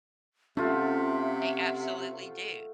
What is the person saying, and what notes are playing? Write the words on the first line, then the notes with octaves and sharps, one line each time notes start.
They absolutely do.
C3 A3 C#4 F4 E5 F#5